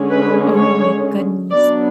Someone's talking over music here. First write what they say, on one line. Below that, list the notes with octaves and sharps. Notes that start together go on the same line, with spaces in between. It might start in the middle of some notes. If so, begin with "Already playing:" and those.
Oh my goodness.
Already playing: D3 G#3 C#4
B4
C#5
F#3 B3 D4 D5